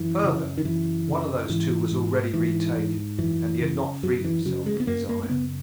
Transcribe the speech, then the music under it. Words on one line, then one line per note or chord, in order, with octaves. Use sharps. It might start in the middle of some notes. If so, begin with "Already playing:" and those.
Further, one of those two was already retaken, and had not freed himself of his iron.
Already playing: F#2 E3
C#3
D#3
F#2 E3
C#3
G#2 E3
G#2
G#2 E3
G#2
F#2 E3
C#3
F#2 F#3
E3
C#3 F#3
G#3
B3
F#2 A#3
A#3
A#3
C#3 B3